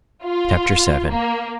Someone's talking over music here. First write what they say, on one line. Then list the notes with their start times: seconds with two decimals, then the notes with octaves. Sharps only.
Chapter VII.
0.24 F4
1.11 A#3